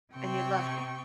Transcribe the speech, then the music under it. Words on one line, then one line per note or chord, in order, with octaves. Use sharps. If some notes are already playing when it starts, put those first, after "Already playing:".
And you loved it?
C3 C4 G5 C#6